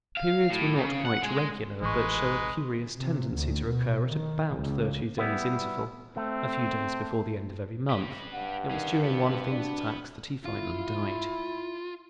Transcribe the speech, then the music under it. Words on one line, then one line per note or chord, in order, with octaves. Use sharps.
The periods were not quite regular, but show a curious tendency to recur at about thirty days' interval, a few days before the end of every month; it was during one of these attacks that he finally died.
F5
A2
C#3
F#5
G#3
A1 G#3 D#4 B4 C#6
C3
D2
B2
D#3
C#2
G3 B3 E4
A3 C4
G4 B4
G2 F#5
D#3 C#4 G#4
C#3 B3 F#4 B4
D4
E4 F4